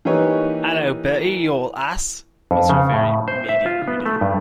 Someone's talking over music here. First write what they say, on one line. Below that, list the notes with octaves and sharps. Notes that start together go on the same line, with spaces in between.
"Hallo, Bertie, you old ass," was her very matey greeting.
E3 A#3 D#4 G4 B4 C#5
F2
C#3
A2
C5
E5
F4
B3
A3
G2